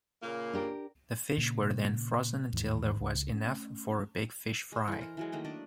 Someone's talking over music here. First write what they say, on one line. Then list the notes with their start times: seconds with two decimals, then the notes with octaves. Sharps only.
The fish were then frozen until there was enough for a big fish fry.
0.23 A#2 C#3 A#3
0.53 D4 G4 A#4
1.38 A#2 C#3
2.53 D#2 G#2 D#3 E3
2.97 E1 C#2
3.31 A3 A#3 C#4
4.72 G#3 C5
4.88 E3 A4
5.01 A#4
5.17 E3 F#3 G#3
5.32 D#3 A3 A#3 D#5
5.44 D4 D5 D#5